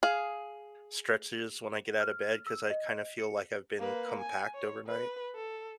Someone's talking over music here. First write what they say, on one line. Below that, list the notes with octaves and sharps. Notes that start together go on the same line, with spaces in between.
stretches when I get out of bed 'cause I kinda feel like I've been compact overnight.
G#4 F5
F6
E6
D#5
C#7
A#3 B4
G#5
C#5
B4
A4